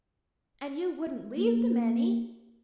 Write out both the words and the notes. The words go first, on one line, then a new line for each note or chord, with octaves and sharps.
And you wouldn't leave them any?
A#3